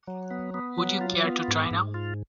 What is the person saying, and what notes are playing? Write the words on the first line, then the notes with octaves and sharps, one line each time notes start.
Would you care to try now?
F#3
B3
B3
F#3
F4
B3
G#2
G#2
F4